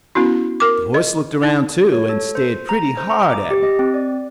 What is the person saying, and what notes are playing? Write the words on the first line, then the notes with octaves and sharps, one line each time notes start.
The horse looked around, too, and stared pretty hard at me.
B3 C#4 E4 F#4
A#4 D6
D#5
D#4
C#5
A4
C5
A#5
C5
A#5
D6
G4
D#5
C4
D5